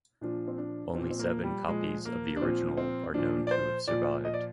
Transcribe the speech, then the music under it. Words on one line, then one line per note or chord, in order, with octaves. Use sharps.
Only seven copies of the original are known to have survived.
A#2 F3 D4
C4
D4
A#2 F3 C4
C4
A#3
G3
A#2 F3 G#3
A#3
D4
A#2 F3 C4
C4
A#2 F3 D4
D5
C5
A#2 F3 D5
D#5
D5